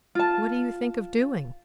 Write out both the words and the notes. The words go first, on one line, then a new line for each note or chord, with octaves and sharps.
'What do you think of doing?'
F4 A5